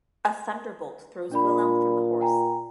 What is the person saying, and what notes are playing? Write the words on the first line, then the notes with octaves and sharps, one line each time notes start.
A thunderbolt throws Wilhelm from the horse.
A#2 D4 D5 B5
G5 G#5 A#5